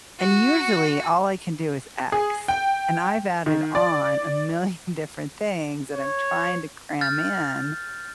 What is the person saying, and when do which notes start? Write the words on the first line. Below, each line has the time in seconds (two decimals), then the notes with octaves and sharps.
And, usually, all I can do is X, and I've added on a million different things that I'm trying to cram in
0.19 F#4
2.12 G#4
2.48 G5
3.46 D#3
3.75 D5
5.94 C#5
7.01 F6 G6 A6